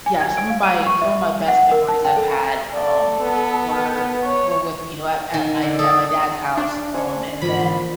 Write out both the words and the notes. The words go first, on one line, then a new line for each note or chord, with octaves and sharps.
yeah, some of my some of my best memories I've had, um, were uh, were with, you know at at my d at my dad's house, um, and then
G#5
G#6
D7
F5
D#7
C#6
E5
F#5
A#4
A5
G5
A4
A4 D5
B3
C#5
D#3
D3
A4 D#6
G#4
D4
C#4 G#4 C5 C#5 G#5
G#2 E3 F3 A#3 F4 B5